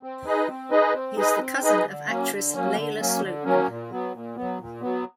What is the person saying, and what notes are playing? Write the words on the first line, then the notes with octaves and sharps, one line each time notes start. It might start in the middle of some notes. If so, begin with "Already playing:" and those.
He is the cousin of actress Lala Sloatman.
C4
D#4 G#4 B4 D#5
C4
D#4 G#4 B4 D#5
C4
D#4 G#4 B4 D#5
C4
D#4 G#4 B4 D#5
D3
F#3 A#3 C#4
D3
F#3 A#3 C#4
D3
F#3 A#3 C#4
D3
F#3 A#3 C#4
A#2
F#3 B3
A#2
F#3 B3
A#2
F#3 B3